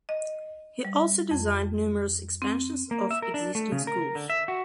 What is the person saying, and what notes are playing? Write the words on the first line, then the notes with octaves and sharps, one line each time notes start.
He also designed numerous expansions of existing schools.
D#5
G3
F2
C4
A#3
E5
A#4
D4
A3
C#3
A#4
D3
E5
F#4